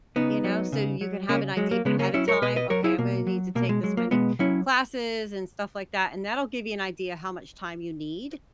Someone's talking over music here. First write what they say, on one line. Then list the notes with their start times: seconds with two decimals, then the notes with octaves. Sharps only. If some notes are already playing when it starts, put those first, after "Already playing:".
you know, so you can have an idea ahead of time, "Okay, I'm gonna need to take this many classes," and stuff like that, and that'll give you an idea how much time you need,
0.16 C#3 B3 D#4
0.44 F#3
0.72 C#3
1.01 F#3
1.29 C#3 A#3 C#4
1.57 F#3 G#3
1.71 A#3
1.85 C#3 G#3 B3
1.99 A#3 C#4
2.14 F#3 C#4 E4
2.28 A#4 C#5
2.42 B2 B4 D#5
2.56 B4 D#5
2.70 F#3 A#4 C#5
2.84 E4 G#4
2.98 B2 A#3
3.27 F#3
3.55 B2 A#3
3.69 G#3
3.83 F#3 G#3
3.97 A#3
4.11 B2 G#3 B3
4.39 F#3 C#4 E4